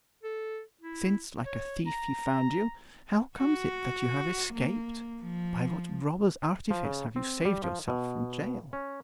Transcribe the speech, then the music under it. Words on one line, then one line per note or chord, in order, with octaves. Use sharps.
Since, like a thief he found you, how comes it that you have escaped,--by what robber's artifice have you saved yourself from gaol?'
A4
E4
C#5
A#5
F#4
A#3
F3
F3
C#3
C4
G3
F3
B2
C#4